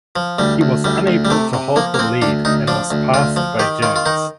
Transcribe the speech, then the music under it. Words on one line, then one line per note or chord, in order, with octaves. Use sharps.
He was unable to hold the lead and was passed by Jones.
F3
D2 G3
D2
D2 G3
D2
G3
C3 A3
C3
F3 A#3
A#3
F3 C4
D2 D4
D2 D#4
F3 D4
D2
D2 F4
F3
D#3 G4
D#3 F4
F4
D#3 D#4